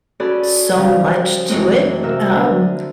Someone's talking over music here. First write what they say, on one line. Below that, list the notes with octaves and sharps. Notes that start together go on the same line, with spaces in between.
so much to it, um
C#4 F#4 G#4 A4 D5 B5
C#3 F3 G3
F#2 E3 G#3 A3 C4
C3 F#4 A#4 E5 E6
D3 D4